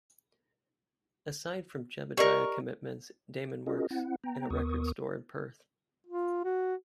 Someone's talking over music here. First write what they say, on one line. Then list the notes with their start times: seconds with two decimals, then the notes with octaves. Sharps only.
Aside from Jebediah commitments, Daymond works in a record store in Perth.
2.17 G4 A#4 D5 D#5 C#6
3.66 C#4 F4 F#4 G#4 A#4 D#5
3.91 C4 E4 F#5
4.24 B3 G5 A#5
4.50 D#2 B3 A#4 C#6 D#6
6.07 F4
6.44 F#4